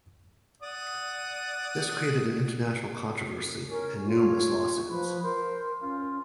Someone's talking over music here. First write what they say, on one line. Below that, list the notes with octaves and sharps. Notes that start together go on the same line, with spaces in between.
This created an international controversy and numerous lawsuits.
D5 F#5 D#6
C#4 A#4
F4 C#5
F3 B4
A#4 C5
C#4 F4